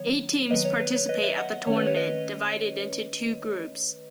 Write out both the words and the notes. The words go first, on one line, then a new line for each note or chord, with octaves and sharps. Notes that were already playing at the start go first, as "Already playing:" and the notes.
Eight teams participate at the tournament, divided into two groups.
Already playing: D#3 F#3 B3 C#5
D#3 F#3 B3 B4 D#5
C#5
B4
C#5
B4 D#5
C#5 E5
D#5 F#5
D#3 A3 C#4 C#5
B4
C#5
B4 D#5